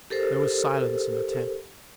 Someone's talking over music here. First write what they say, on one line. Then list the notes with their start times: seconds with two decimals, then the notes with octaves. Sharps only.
There was silence in the tent.
0.10 G4 A4 A#4 C5